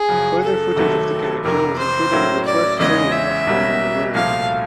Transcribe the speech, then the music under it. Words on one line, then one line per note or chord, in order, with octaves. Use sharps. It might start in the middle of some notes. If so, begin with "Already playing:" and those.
Further footage of the character was included in the first trailer of "The Mandalorian".
Already playing: G#4
F#2 C#3 F3
A4
F1 D#2 D#3 F#3 A3
F1 F2 C3 E3 A#4
C5
A2 F#3 A#3 C#4 E4
D5
E2 C#3 E3 G#3 C#4 D#5
E5
B1 B2 G3 A#3 C#4
C2 A#2 F3 A3 F5